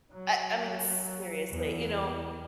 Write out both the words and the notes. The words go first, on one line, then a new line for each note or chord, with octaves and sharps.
I I mean, seriously, you know?
F#3
E2